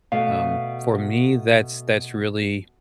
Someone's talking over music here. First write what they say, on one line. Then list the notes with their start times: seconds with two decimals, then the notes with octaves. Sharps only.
um, for me, that's that's really
0.12 B2 A3 F5